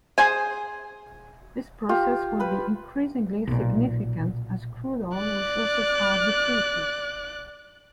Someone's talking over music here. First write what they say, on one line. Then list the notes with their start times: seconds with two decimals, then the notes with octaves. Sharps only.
This process will be increasingly significant as crude oil resources are depleted.
0.18 G#4 C5 G#5
1.89 F4 G4
2.40 B4 B5
3.47 B1 A#2
5.16 D5 F#6